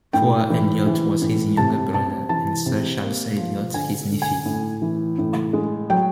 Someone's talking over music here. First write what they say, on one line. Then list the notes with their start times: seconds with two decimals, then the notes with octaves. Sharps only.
Hugh Elliot was his younger brother and Sir Charles Elliot his nephew.
0.13 A2 G5
0.50 E3
0.86 E3
1.22 A2
1.57 C3 A5
1.94 C3 A5
2.29 E3 A5
2.66 C3
3.02 A#3
3.37 F3
3.74 D3 G#5
4.10 D3
4.22 G#5
4.46 A2
4.82 E3
5.18 A2
5.53 G#3
5.90 F#3 G5